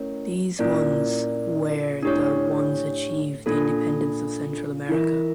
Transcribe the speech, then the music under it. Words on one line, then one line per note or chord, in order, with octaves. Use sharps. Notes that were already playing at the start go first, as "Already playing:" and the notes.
These ones where the ones achieve the independence of Central America.
Already playing: A3 C#4 E4 A#4 C#5
A#2 C#4 E4 A#4 D5
A2 D4 G4 C#5
A#2 D4 F4 A4
E3 F4 A#4 E5